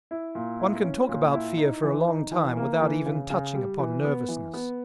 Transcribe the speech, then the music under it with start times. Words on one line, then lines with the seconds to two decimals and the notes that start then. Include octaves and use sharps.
One can talk about fear for a long time without even touching upon nervousness.
0.11 E4
0.35 A#2
0.60 E4
0.84 C#4
1.09 A#2
1.33 E4
1.57 D#4
1.83 E3
2.08 D#4
2.32 E3
2.57 A#3
2.81 E3
3.05 C#3
3.30 C#3
3.55 G3
3.79 E3
4.04 B3
4.28 E3
4.54 B3